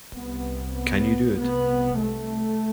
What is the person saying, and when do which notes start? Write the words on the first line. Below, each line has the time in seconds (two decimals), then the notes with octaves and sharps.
Can you do it?
0.13 C2 C3 B3
0.74 B3
1.36 C2 C3 B3
1.99 A3